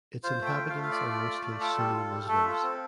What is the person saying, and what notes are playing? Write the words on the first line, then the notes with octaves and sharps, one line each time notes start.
Its inhabitants are mostly Sunni Muslims.
F4 C5
A3
G5
F4
F5
A3
F5
F4 D5
A3
F4
A3
F4 A4
G3
F4
G3
A3 A4
F4
A4
C4